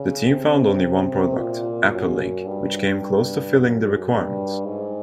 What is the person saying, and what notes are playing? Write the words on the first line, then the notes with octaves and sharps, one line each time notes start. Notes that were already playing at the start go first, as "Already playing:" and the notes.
The team found only one product, AppleLink, which came close to filling the requirements.
Already playing: C#3
C3
A#2
F#2
G2
F#2
G2
G#2